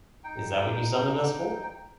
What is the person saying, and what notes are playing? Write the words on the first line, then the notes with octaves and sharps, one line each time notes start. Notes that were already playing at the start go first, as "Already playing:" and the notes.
Is that what you summoned us for?
D#4 G5